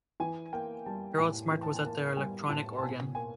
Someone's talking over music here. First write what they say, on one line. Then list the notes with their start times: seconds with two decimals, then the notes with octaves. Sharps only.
Harold Smart was at the electronic organ.
0.20 E3 G#5
0.53 A#3 G5
0.86 G3 A5
1.18 A2 G#5
1.51 E3
1.63 A5
1.74 G#5
1.84 A#3 A5
2.16 G3 G#5
2.49 A2 A5
2.78 A5
2.82 B2 G#5
3.15 A#3 G#5